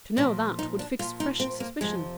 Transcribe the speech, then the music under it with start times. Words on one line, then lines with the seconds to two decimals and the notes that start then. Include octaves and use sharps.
To know that would fix fresh suspicion.
0.17 A#2 F3 D4
0.59 D#4
0.79 D4
0.99 A#2 F3 F4
1.20 D#4
1.40 C4
1.60 A#3
1.81 F2 C3 F3 G#3